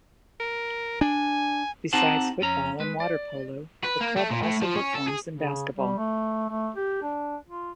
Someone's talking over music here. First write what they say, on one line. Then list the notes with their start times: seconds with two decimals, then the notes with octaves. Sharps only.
Besides football and water polo, the club also performs in basketball.
0.40 A#4
1.01 D4 G#5
1.93 C4 D#4 G4 C5 F#5 A5
2.41 F2 C#4 A#5
2.80 G#3 B4
3.00 D5
3.85 B4
4.01 A#3
4.17 A3
4.30 A#2
4.42 A2
4.62 F3
4.74 C#4
4.94 A4
5.07 G#4
5.34 C#3
5.75 G3
5.98 A3
6.50 A3
6.76 G4
7.03 D4
7.47 F4